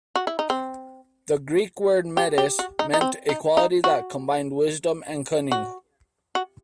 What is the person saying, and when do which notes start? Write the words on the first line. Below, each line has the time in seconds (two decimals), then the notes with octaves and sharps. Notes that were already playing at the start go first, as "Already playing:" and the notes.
The Greek word "metis" meant a quality that combined wisdom and cunning.
0.16 F#4
0.27 E4
0.39 D#4
0.50 C4
2.17 G4
2.38 G4
2.59 F#4
2.79 D#4
2.94 D#4
3.01 C4
3.29 D#4
3.57 D#4
3.84 F#4
5.52 F#4
6.35 F#4